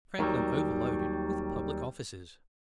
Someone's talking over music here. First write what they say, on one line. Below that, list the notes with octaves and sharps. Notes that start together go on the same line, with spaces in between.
Franklin overloaded with public Offices.
D#2 D#3 E3 F#3 G3